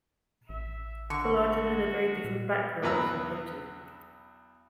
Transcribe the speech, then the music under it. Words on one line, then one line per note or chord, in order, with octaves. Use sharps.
Fullarton had a very different background from Picton.
A1 E5
D3 F#4 C#6
A#2
B1 E2 B4 A#5 E6